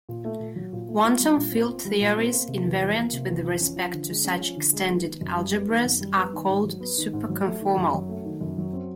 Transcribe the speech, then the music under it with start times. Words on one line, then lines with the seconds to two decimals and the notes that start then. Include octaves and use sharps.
Quantum field theories invariant with respect to such extended algebras are called superconformal.
0.09 A#2
0.25 A3
0.40 A#2
0.56 F#3
0.73 A#2
0.89 A3
1.04 F4
1.21 G3
1.37 A#2
1.52 C4
1.69 F4
1.85 G3
2.01 A#2
2.17 C4
2.33 A#3
2.48 C3
2.65 E2
2.81 F3
2.96 A#3
3.13 C3
3.29 E2
3.44 F3
3.60 C#4
3.76 F3
3.93 D3
4.08 G#3
4.25 C#4
4.40 F3
4.56 D3
4.73 G#3
4.89 B3
5.05 D#3
5.21 F#2
5.37 G3
5.54 B3
5.69 D#3
5.85 F#2
6.01 G3
6.17 B3
6.33 D#3
6.49 G#2
6.65 F#3
6.81 B3
6.98 D#3
7.13 G#2
7.29 F#3
7.46 A3
7.61 D#3
7.77 F#2
7.94 F#3
8.09 A3
8.25 D#3
8.41 F#2
8.58 F#3
8.73 C4